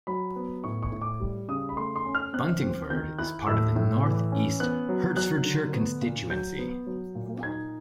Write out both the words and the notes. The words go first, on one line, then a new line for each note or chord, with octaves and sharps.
Buntingford is part of the North East Hertfordshire constituency.
F#3 B5
B3
A2 C#6
C#6
A2
D6
G3
C#3 D#6
B5
A3 C6
C6
C#4
F6
C4 F#6
C4
D#3 G6
E4 F#6
A2 E6
A2
E3
C#4
B3 F#6
F#3
F#3 F#6
D3
B3
A#2
F#3 G6
B3
F#3
A#2
D#4 G#6